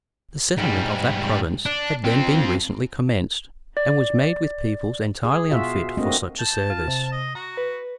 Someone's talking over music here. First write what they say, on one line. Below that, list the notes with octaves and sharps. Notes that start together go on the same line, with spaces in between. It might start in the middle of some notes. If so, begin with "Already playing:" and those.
The settlement of that province had then been recently commenced, and was made with people entirely unfit for such a service.
G#2 G3
D4
F2 C4
D5
G#4
B2 F4 F#4 G#4 E5
A3 A#3 C4 D4 F#4 D#5
A5 G6
F4
C3
D#5
F#4 A#5
B4